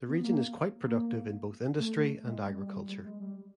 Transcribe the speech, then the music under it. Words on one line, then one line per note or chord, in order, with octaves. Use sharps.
The region is quite productive in both industry and agriculture.
B3
A#3
A#3
A3
G#3
G3
G3
G3
G3
G#3
G3